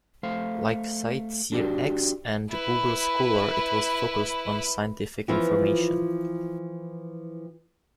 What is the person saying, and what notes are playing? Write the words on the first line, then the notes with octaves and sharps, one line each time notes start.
Like CiteSeerX and Google Scholar, it was focused on scientific information.
A3 C5 F5
D4 F#4 G4 D5
E4 B4
E3 F3 B3 E4 F4